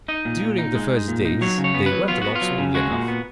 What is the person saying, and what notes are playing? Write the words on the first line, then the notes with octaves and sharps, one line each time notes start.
During the first days, they went along smoothly enough.
D#4 D#5
A#2
A#2
D#4
G#3
D#4
A#2
D#4
F#3 C#5
C#3
C#5
B3
B4
F#3
B3 F4
B3 F#4
F4
F#3
C#3
G#3 F#4
A#2
B3